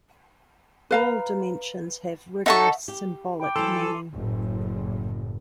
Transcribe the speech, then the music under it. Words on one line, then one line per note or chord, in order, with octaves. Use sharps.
All dimensions have rigorous symbolic meaning.
B4 F5 A#5
D#4 A4 D#5 E5 F#5 C#6
G4
G5 B5 D6
E3 F#3 A4 C5 C6 C7 F7
D#7
F#1 A2